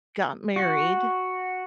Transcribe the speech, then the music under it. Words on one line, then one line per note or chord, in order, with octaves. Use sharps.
got married,
F#4